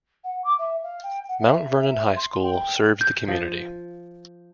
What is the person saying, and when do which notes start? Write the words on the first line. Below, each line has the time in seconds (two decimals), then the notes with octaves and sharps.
Mount Vernon High School serves the community.
0.24 F#5
0.44 D6
0.58 E5
0.83 F5
1.03 G5
1.28 F#5
1.40 E5
2.16 C6
2.42 G5
3.01 G6
3.28 F3